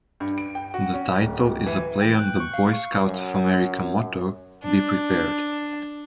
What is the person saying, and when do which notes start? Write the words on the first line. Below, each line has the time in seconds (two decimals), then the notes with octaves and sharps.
The title is a play on the Boy Scouts of America motto "Be Prepared".
0.20 G2
0.38 D7
0.55 G5
0.74 F#4
0.94 C#4
1.20 D1
1.66 E3
2.01 G5
2.19 F#6
2.40 C#6
2.54 F5
2.73 C#6
3.06 F#2
4.64 D4